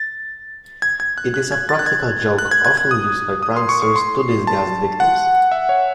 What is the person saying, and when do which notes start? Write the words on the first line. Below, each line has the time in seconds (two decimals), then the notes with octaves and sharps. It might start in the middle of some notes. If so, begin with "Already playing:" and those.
It is a practical joke often used by pranksters to disgust victims.
Already playing: A6
0.82 G#6
1.00 G#6
1.18 F#6
1.34 F#6
1.52 G#6
1.69 A6
1.79 F#6
1.86 G#6
2.39 F#6
2.51 G#6
2.65 G#6
2.77 G#6
2.91 D#6
3.43 D#6
3.56 C6
3.69 C#6
3.82 C#6
3.96 C6
4.47 A5
5.00 F#5
5.52 E5
5.69 C#5